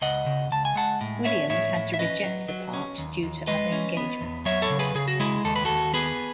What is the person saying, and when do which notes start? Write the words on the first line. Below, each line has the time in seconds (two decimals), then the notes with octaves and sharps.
Williams had to reject the part due to other engagements.
0.01 C#2 D#5 F#5
0.26 C#3
0.52 C#2 A5
0.65 G#5
0.75 G#3 F#5 A5
1.01 A2
1.25 C#4 C#5 E5
1.50 A2 C#5 E5
1.75 A2
1.94 E5
1.99 C#4 B4 D#5
2.24 F#3
2.48 F#3
2.74 C#4
2.98 D#2
3.23 D#2
3.47 G#3 B4 D#5
3.72 C#4
3.97 B3
4.21 E2
4.45 F#3 C#5 E5
4.62 A4 C#5
4.70 C#3
4.79 G#4 B4
4.95 C#3 G#4
5.08 F#4
5.20 G#3 E4 G#4
5.44 D#2 A4
5.56 B4
5.65 D#2 F#4 A4
5.94 B3 G#4 B4